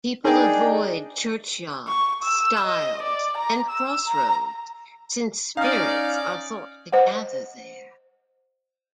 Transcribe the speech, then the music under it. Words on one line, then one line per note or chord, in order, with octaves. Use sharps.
People avoid churchyards, stiles, and crossroads, since spirits are thought to gather there.
A#3 D4 D#4 G#4 D5 G5
C#6
E6
D#5
D5
A#5
E6
A#5
C#4 D#4 C#5 D5 F5 F6
C5 D#5 F#5